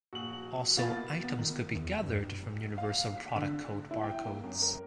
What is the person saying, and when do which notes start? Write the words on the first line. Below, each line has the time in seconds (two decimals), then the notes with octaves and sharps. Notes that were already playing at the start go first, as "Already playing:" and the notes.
Also items could be gathered from Universal Product Code barcodes.
0.13 A#1 F#4 F#7
0.77 B2 A#3 F4 B5 A6
1.24 B3
1.39 D#3
1.75 E2
2.03 G2
2.78 F5
3.18 B6
3.36 D3
3.91 E4
4.04 G5
4.25 A#3
4.44 F#2
4.62 A#4